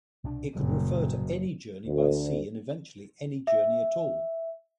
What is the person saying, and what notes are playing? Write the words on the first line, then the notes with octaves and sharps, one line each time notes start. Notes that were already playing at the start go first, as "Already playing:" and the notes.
It could refer to any journey by sea and eventually any journey at all.
C2 B2 D4
F#1 G2 A#2 G3
D2
E5